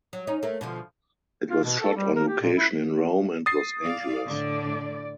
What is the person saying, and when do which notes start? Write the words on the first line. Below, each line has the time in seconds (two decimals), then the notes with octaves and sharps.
It was shot on location in Rome and Los Angeles.
0.13 F#3
0.27 C#4 D#4
0.43 A3 A#3
0.61 B2 D3 F3
1.50 F4
1.64 B2
1.80 A4
1.96 G3
2.16 A#4
2.28 G4
2.41 A#2
2.57 E4
3.46 D#6 A6 C7
3.81 D5 F5
4.26 A2 D3 D5